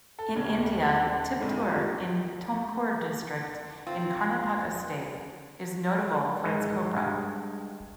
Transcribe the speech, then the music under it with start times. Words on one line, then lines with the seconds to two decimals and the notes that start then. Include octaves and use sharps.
In India, Tiptur in Tumkur district in Karnataka state is notable for its copra.
0.19 A4
0.36 D#1 C#3 G#6
1.39 A#1 F2 G#2
1.61 F4 G4 D#5
3.87 C4 F4
6.43 G#2 D#3 G#3 D#4
6.92 G2 G#3